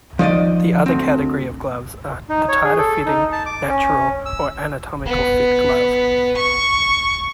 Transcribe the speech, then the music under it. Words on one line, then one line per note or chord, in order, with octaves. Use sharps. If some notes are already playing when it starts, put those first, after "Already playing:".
The other category of gloves are the tighter fitting, natural or anatomical fit glove.
F3 D#4 D5 D#5
D2 C4
D#4
C#5
G#4
A4
D#4
A5
D6
C#4
E6
B3
C#6